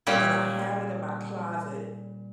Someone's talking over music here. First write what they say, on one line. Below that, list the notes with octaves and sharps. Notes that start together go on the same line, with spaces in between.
and I have it in my closet,
A#2 G3 C#4